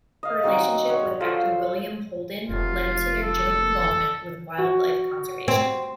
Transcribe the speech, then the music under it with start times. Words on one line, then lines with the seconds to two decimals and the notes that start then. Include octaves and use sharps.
Her relationship with actor William Holden led to their joint involvement with wildlife conservation.
0.23 D#5 F5
0.44 F#3 C4 D#4 F#4
0.88 D4 C#5 F#5
1.20 F4 A4 C5 F5
2.49 F1 F4
3.23 A4
4.58 F#4
5.48 C4